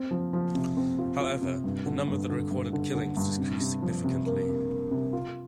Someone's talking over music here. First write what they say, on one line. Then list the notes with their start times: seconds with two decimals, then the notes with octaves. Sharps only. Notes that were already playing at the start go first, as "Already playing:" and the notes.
However, the number of the recorded killings decreased significantly.
Already playing: C4
0.11 F3
0.33 F3
0.55 C3
0.77 C4
0.99 F4
1.21 F4
1.42 C3
1.64 G2
1.86 D3
2.08 G2
2.30 D3
2.51 G2
2.73 D3
2.95 D3
3.17 G2
3.39 C3
3.60 C3
3.82 F3
4.04 C3
4.26 A#3
4.47 C3
4.69 A#3
4.91 C3
5.13 F4